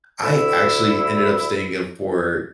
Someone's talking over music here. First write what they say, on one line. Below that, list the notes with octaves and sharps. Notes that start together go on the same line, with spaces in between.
I actually ended up staying up for
D2 D3 E4 E6